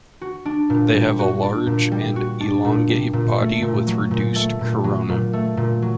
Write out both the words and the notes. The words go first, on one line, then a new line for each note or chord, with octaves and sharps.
They have a large and elongate body with reduced corona.
F#4
D4
A#2
G3
F#4
D4
A#2
G3
F#4
D4
A#2
G3
A#2
A3
A#2
F#3
A#2
A3
A#2
F#3
A#2
A3
A#2
F#3